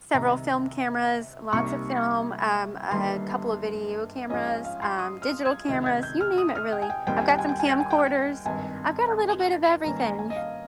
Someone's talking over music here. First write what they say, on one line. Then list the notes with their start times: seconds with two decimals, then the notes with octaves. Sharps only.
several film cameras, lots of film, um, a couple of video cameras, um, digital cameras, you name it, really. I've got some camcorders, I've got a little bit of everything.
0.14 C2 C3 D#3 A#5
1.53 C2 C3 G3 A#3 D#4 C#6
2.91 G1 G2 D#3 G3 A#3 C6
4.30 G#2 F3 G#3 C#4 D#5
4.47 F5
4.65 F5
4.82 C6
4.99 D#6
5.22 F6
5.45 G#6
5.68 C#2 C3 D#3
5.86 G#6
6.03 G6
6.21 F6
6.38 D#6
6.55 F6
6.72 G5
6.82 G#5
6.90 G5
7.07 D#2 D#3 G3 C4 G5
7.18 G#5
7.28 G5
7.38 G#5
7.49 G5
7.60 G#5
7.70 G5
7.80 G#5
7.91 G5
8.45 G#1 G2 D#3 G#5
9.84 G2 D#3 A#3 C#4 A#5
10.02 A#5
10.19 G#5
10.30 D#5
10.36 F5